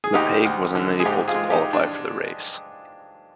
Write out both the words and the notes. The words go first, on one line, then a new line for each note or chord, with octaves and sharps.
Lepage was unable to qualify for the race.
G#4
D2 D#4 G4
D2
D3
G#4
G#2 D#4 G4
F4 G#4
G#3
D#4 G4
D4